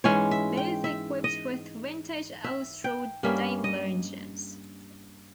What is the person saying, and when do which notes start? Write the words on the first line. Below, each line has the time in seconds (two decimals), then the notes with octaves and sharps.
Both are equipped with vintage Austro-Daimler engines.
0.04 G#2 E3 G#3 C#4 C#5
0.31 E5
0.57 G5
0.84 E5
1.24 D#5
2.44 E5
2.84 G5
3.23 G2 G3 A#3 C#4 E5
3.64 D#5